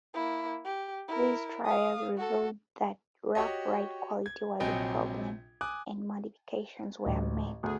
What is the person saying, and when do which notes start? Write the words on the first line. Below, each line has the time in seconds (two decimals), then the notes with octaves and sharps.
These trials revealed that rough ride quality was a problem, and modifications were made.
0.14 A#3 E4
0.65 G4
1.08 E4 A#4
1.65 F5 D#6
2.17 F#4 A4
3.35 F#4 G4 C#5 D#5
4.26 G#6
4.60 A#1 C3 F#3 D#5 G5 G#5
5.61 G#5 D6 D#6 F#6
7.06 A1 D2
7.63 D2 G#4